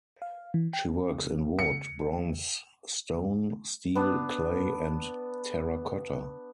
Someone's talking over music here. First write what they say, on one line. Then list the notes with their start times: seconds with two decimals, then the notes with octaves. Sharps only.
She works in wood, bronze, stone, steel, clay and terracotta.
0.22 F5
0.54 E3
0.73 G5
1.59 C#7
3.95 B3 D4